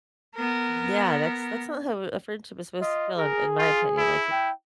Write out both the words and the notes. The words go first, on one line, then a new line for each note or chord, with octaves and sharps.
Yeah, that's that's not how a friendship is supposed to feel in in my opinion, like, at
B3 A#4
F4 D#5
G#4 A#4
F4
E4
G5